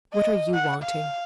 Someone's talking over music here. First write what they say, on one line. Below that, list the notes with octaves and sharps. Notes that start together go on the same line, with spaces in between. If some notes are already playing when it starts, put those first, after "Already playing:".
"What are you wanting?"
D#5
F#5
F5